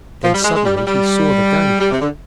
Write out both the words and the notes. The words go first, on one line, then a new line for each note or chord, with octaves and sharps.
Then suddenly he saw the game.
F3
G3
G#3
G#3
G3
G3
G3
G3
C3
D3